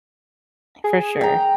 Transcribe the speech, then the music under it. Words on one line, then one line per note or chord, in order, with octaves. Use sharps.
For sure.
G#4
G5 A#5